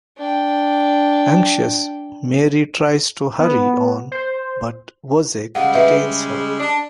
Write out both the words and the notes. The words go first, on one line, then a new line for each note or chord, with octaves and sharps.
Anxious, Marie tries to hurry on but Wozzeck detains her.
D4 G5
B3
C5
C#3 G3 G#3 F5 F#5
B4 D#5 E5
G#4
D4